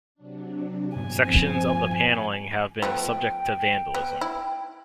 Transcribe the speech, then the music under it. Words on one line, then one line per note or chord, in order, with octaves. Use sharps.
Sections of the panelling have been subject to vandalism.
C3 F#3 D4
G2 A#2 F3 B3 C4 G#5
F3 A3 B3 G5
B3
E4